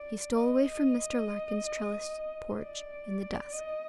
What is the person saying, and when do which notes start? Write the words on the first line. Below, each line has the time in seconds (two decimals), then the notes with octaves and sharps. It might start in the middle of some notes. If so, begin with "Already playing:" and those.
He stole away from Mr. Larkin's trellised porch, in the dusk.
Already playing: D5
0.36 D#5
2.61 D5
3.51 D#5